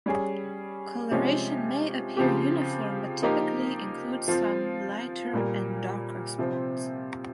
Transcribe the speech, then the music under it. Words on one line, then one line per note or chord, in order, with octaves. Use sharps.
Coloration may appear uniform but typically includes some lighter and darker spots.
G3 C#4 G#4
C3 F3 G#3 C#4 G4
C#3 F3 C4 G4
F3 A#3 D#4 G4 A#4
F3 C4 F4
A#2 G3 A#3
C3 F3 C4